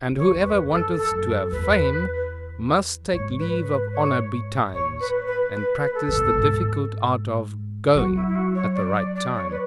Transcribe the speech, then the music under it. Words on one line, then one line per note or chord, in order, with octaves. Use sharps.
And whoever wanteth to have fame, must take leave of honour betimes, and practise the difficult art of--going at the right time.
D3
C#5
E2
B4
F#2
F#2 A4
A4
F#2
A4
E2 B4
G#2 C#5
B4
B4
C#5
A2 C#5
B4
B4
B4
B4
A4
C#3
B2
A2
G#2
F#3 F#4
E4
E4
F#4
C#5
D5
D5
D5
C#5
B4